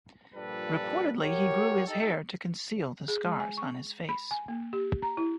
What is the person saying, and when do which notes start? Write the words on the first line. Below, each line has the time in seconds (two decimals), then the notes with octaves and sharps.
Reportedly he grew his hair to conceal the scars on his face.
0.35 G2 A#2 F3 G3 A4 B4
1.22 F#4 G4 A#4 C#5
1.87 D#4 G4 A4
3.08 G#4
3.25 G#3
3.40 G#5
3.57 C#6
4.09 B5
4.31 G#5
4.48 A#3
4.73 G4
5.02 A#5
5.17 E4